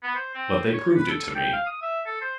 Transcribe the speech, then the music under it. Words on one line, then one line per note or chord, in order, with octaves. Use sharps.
But they proved it to me.
B3
C5
C4
C#5
B4
A4
G5
F5
D#6
E5
A4
C5